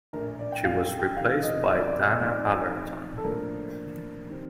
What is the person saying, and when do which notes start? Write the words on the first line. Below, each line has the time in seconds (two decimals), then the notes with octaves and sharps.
She was replaced by Dana Allerton.
0.13 A#1 A2 A3 A#4
0.39 D5
0.52 G5
0.64 F5
0.83 G5
0.99 G5
1.17 F1 F2 D#3 F5
1.43 D#5
1.68 D5
1.86 D5
2.03 D#5
2.20 A2 F3 C4 D#4 D5
3.18 A4
3.24 A2 F3 A#3 D4 A#4
4.29 D#3 G3 C4